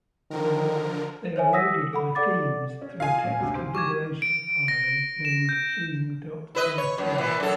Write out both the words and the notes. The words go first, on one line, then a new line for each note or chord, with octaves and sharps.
They are loaded by themes through a text configuration file named theme.rc.
D3 D#3 F3 A#4
C5 C#5 E5 G#5
F#5 D#6 E6 A#6 B6
A4 F#5 B5
A4 D5 F#5 D6 A6
C#4
D#4 F4 F5 G#5
A#2 C#4
D2 G2 C3
C5
G3 C#6 D6 G#6
D7
A#6
E7
G6
E4 B4 D#5
C#5
F#2
A#2 E3
F#2 A4